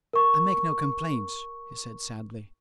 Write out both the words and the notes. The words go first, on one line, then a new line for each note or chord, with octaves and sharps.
"I make no complaint," he said sadly.
A#4 C#6